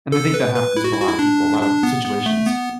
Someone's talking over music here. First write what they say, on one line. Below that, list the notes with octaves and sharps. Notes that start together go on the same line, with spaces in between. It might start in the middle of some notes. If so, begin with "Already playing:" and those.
And I think that happens with a lot of people, a lot of situations.
A4
B4
B4
E4
F#4
E4
F#4
E4
D4
D4
B3
B3
A3
B3